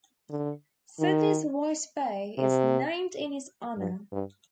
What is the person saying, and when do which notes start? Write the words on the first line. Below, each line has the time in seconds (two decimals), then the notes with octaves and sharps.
Sydney's White Bay is named in his honour.
0.30 D3
1.00 D#3
2.38 C3
3.77 G2
4.12 G2